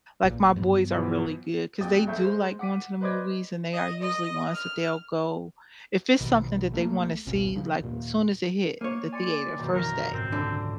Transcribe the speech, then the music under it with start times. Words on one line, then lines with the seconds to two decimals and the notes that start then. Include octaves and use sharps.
Like, my boys are really good 'cause they do like going to the movies and they are usually ones that they'll go. If it's something that they want to see like soon as it hit the theater, first day,
0.22 A1 E2 A#2
0.56 G2 F#3 B3
0.91 B2 E3 F3
1.80 A#1 F2 F#4 G5 D#6 A6
2.07 D2 A3 E5 C#6 G6
2.19 G#3 C5
2.59 F#5 D6 B6 D#7
3.01 B4 C5 D5 D#5 D6 G#6
3.73 D#5
4.02 D#5
4.54 F6
6.20 A#1 B2 D#3
6.71 B1 A3 A#3
7.26 G#1 C#2 B2 C#4
7.56 C#3 F3
7.80 D#2 A#2
8.81 A#3 C#5 D6 D#7
9.12 D5 G#5 C6 C#7
9.57 F#2 B2 D#3
9.74 C#3 E3 A#4
10.13 G#2 C#3 C4
10.32 D3